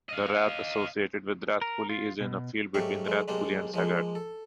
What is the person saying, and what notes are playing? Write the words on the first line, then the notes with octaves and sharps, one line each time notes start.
The rath associated with Rathcoole is in a field between Rathcoole and Saggart.
D#5 F5
A#4
F4
B2
G#2 F#3 A3 G4 F5 C#6
F#3 G#3 A3
B1 G3 G#3 A#3 D4 C5
F3 G#3 A#3
A4